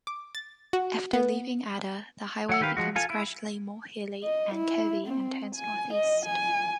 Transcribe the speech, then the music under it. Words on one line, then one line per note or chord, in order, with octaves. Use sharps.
After leaving Ada the highway becomes gradually more hilly and curvy, and turns northeast.
D6
A6
F#4
B3
F#3 F#5 E6
D#3 G4 B4 F5
F3 G#3 F#4
F4 A4 F5 G#5
E4
D#5
E4
C4
G#5
D#5
G#5